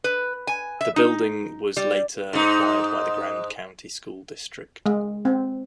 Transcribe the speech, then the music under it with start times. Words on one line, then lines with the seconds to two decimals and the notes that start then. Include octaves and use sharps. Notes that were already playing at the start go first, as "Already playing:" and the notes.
The building was later acquired by the Grand County School District.
0.04 B4
0.47 G#5
0.81 E5
0.96 D#4
1.77 G3
2.33 G#2 D#4
4.86 G#3
5.25 C4